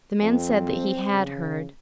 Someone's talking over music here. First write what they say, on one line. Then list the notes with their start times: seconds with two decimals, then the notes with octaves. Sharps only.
The man said that he had heard.
0.22 F2 C4
1.11 C#3